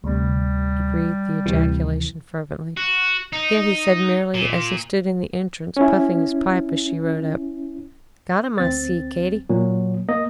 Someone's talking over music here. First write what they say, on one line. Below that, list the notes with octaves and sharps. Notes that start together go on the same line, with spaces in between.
He breathed the ejaculation fervently, yet he said merely as he stood in the entrance puffing his pipe as she rode up, "Got 'em, I see, Katie!"
D2 C3 G3
D2 C3 E3
F#4
D#4
A#2
C#4 E4
D2 C4 A6
A#2 F#3
A#3 D#5